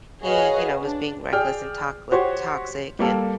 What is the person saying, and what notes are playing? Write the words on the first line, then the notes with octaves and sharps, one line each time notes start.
He, you know, was being reckless and toxic toxic, and,
F#4 G#4 B4 C#5 D#5 F5
D4
G#4 D5 G5 F6
F#4 G4 C5 C#5
G3 A#3 A4